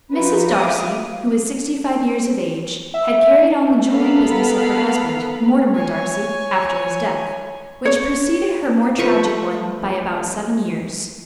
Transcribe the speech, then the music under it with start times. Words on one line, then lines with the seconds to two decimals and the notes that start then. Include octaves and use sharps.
Mrs. Darcy, who was sixty-five years of age, had carried on the jewelry business of her husband, Mortimer Darcy, after his death, which preceded her more tragic one by about seven years.
0.12 F3 D#4 F4 F#4 B4
0.54 E5 F5 D6 D#6
2.94 E5
3.88 B3 A4 A#4 F5 B5
5.74 C#5 G#5
7.85 C#5
8.98 F3 A3 B4 C#6